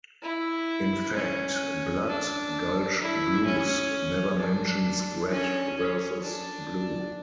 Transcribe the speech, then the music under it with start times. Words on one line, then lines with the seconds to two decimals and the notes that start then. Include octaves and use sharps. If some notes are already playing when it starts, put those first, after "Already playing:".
In fact, "Blood Gulch Blues" never mentions Red versus Blue.
0.22 E4
1.15 C#4
2.07 D4
2.99 E4
3.45 C#4
4.38 D4
5.31 C#4
5.77 C#4
6.23 D4